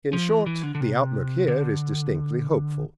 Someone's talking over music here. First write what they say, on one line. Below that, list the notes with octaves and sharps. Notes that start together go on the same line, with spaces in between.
In short, the outlook here is distinctly hopeful.
F3
E3
E3
D3
D3
C3
D3